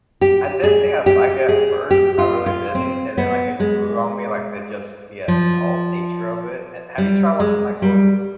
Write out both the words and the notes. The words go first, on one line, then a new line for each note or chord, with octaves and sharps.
I didn't think I'd like it at first. I really didn't, and then, like, it grew on me, like, the just the adult nature of it. Eh, have you tried watching, like what was it?
G4
G#4
G4
G#4
G4
F4
F4
C4
B3
G#3
F3
G3
G#3
G3